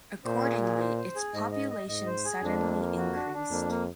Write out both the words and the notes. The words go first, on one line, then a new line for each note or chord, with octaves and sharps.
Accordingly, its population suddenly increased.
A#2 C5
G#4
G#4
C5
C5
G#4
G#2 D#5
D#5
D#5
G#2 D#5
C5
G#4
F2 D4
A#3
A#3
F#4
D4
D4
F2 A#3
A#3